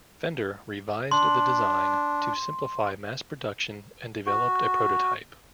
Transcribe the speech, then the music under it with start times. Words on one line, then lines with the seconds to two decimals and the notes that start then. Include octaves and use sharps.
Fender revised the design to simplify mass production and developed a prototype.
1.11 D4 C6
4.26 F#4